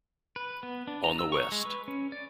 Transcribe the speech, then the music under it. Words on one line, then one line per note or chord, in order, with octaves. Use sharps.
On the West.
B4
B3
D4
A#5
E6
C#6
G#3
B4
C#4
D5